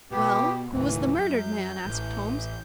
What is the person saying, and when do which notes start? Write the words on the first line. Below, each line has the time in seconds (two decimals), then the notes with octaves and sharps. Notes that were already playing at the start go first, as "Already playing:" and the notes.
"Well, who was the murdered man?" asked Holmes.
0.11 B2 B3 G4
0.72 F#1 D#2 A2 E3
1.16 F#2 G6
1.85 A1